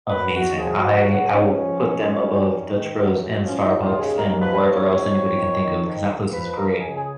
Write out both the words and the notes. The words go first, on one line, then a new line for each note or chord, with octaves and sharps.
Amazing. I I will put them above Dutch Bros and Starbucks and wherever else anybody can think of, 'cause that place is great.
F#2 B4
F#2 F#4
F3 G#4
F#4
C#2
F#4
C#3
F#4
C#2 C#4
F3
C#2
F#2
F#2
D#3
D#3
F#2
F#2
F3 C#4
D#4
D#2
F4
C#3
G#4
D#2 A#4
F3 B4
D#2 C#5
F2
F2
D#3
D#3
F2
F2
F3 B4
B4
C#2 A#4
C#3 G#4
G#4